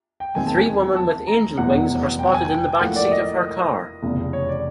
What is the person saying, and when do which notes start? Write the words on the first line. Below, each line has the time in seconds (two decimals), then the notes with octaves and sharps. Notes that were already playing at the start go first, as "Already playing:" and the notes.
Three women with angel wings are spotted in the backseat of her car.
0.20 G5
0.35 E1 D#2 D#3 G#3 C4 G#5
0.47 A5
0.58 G#5
0.96 A5
1.27 A#5
1.58 F1 E2 B2 F#3 F#5
2.19 G5
2.34 G#5
2.50 G5
2.80 A2 F3 A#3 F#5
2.96 D5
3.12 D#5
4.03 F1 E2 C#3
4.33 C#5
4.49 D5